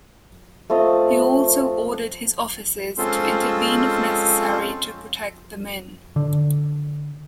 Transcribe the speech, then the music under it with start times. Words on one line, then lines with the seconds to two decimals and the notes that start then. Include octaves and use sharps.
He also ordered his officers to intervene if necessary to protect the men.
0.70 A3 C4 F4 D#5
2.98 G#3 C4 C#4 F4 A4 C5
6.16 D3